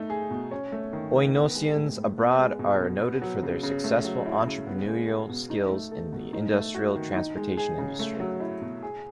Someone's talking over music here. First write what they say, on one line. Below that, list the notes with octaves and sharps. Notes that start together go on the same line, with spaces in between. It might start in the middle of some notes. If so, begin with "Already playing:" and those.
Oinoussians abroad are noted for their successful entrepreneurial skills in the industrial transportation industry.
Already playing: A3 D#4
G#4
B2
C#4
A3
D#3
D#3
B3
G#3
A2
A2
B3
G#3
B2
B2
B3
F#3
C#3
C#3
A3
F#3
E4
C#3
B3
G#3
B2
B2
D#4
A3
A4
B2
D#4
A3
F#4
D#3
D#4
G#3
G#4
C#3
A3
F#3
E4
B2
G#4